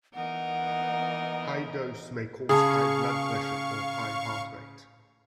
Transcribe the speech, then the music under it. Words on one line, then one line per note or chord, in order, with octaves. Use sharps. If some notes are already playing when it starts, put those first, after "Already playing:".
High dose may cause high blood pressure or high heart rate.
E3 B3 D#4 A#4 D#5 F#5
C#3 G#4 F5 A5 C#6 D#6